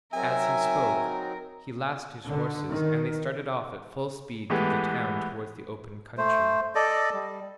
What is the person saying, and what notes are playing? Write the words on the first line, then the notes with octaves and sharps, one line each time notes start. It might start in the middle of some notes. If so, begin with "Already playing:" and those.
As he spoke he lashed his horses and they started off at full speed through the town towards the open country.
F#3 C4 D#4 A#4 E5 G#5
D3
D#3
E3 G#3 A3 B3 G4 B4
A3 C5
A4 D5 D#5
G3